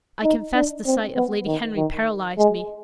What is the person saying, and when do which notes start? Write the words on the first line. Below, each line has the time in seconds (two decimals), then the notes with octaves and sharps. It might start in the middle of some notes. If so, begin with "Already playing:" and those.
I confess the sight of Lady Henry paralyzed me.
0.24 D#4
0.55 D4
0.86 C4
1.16 B3
1.46 D#3
1.77 D#3
2.38 G#3